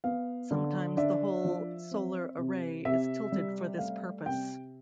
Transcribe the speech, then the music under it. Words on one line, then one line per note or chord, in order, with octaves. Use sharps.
Sometimes the whole solar array is tilted for this purpose.
B3 F5
D3
D4 E5
F3
C4
C3
C3 E5
G3
A3 F5
C3 G5